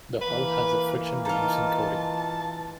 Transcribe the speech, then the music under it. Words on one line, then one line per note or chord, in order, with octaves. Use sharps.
The hull has a friction-reducing coating.
E3 A#3 B4
D#4 F4 A5